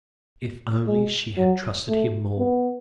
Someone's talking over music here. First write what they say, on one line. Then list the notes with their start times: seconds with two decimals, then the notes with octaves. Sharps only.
If only she had trusted him more!
0.87 G#3
1.37 F#3
1.88 A3
2.39 B3